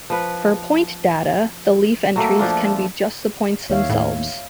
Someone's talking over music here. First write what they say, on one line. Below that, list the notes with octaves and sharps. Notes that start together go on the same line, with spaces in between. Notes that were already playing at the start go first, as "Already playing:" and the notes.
For point data, the leaf entries can be just the points themselves.
F3 B4
F#3 A3 A#3
F3 D4 F4
D#2 C#5 E5 F5
A2